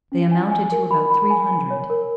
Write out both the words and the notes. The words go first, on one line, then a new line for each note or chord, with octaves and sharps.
They amounted to about three hundred.
C#4
G#5
G#5
A#4
B5
B5
G#5
B5
C#5
A#4